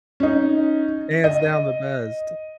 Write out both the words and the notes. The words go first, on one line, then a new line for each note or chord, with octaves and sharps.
hands-down the best!
C#4 D#4
D#5